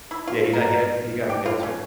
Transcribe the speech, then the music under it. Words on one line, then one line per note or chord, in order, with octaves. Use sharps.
Yeah, he di he had he got cancer.
E4
F4
A#4
G4
F4
C#4